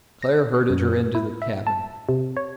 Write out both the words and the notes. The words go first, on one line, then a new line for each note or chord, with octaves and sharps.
Claire herded her into the cabin.
A#6
F#2
E4
E5
A5
C3
C#5